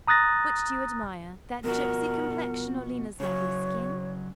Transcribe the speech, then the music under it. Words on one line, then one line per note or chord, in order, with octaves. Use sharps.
Which do you admire--that gypsy complexion, or Lena's lovely skin?
A#5 D#6 F#6 A6 A#6
B2 F3 F#4 A#4
C#3 F#3 C#5